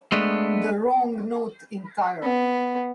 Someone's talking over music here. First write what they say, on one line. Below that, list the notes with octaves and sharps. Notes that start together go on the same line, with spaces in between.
The wrong note entirely.
G#3 A3 B3 D4
B3